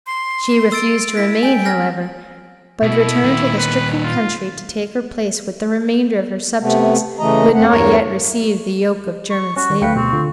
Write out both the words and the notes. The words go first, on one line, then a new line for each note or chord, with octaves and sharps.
She refused to remain, however, but returned to the stricken country to take her place with the remainder of her subjects who had not yet received the yoke of German slavery.
C6
E6 A6 D7
E4 B6
G5 G#5
G#5 F6 A#6
B2 E4
A#2 D#3
B4
F4
C3 A3 B3
C#3 E3 A3 D#5 A#5
F2 A3 C4 F#5
E2 G2 A#4 C#5
C#6
C#4 F#4 C#6
D#3
D2 A3 B4 F5 G5 C#7
B2 C4 C#6
D3 F4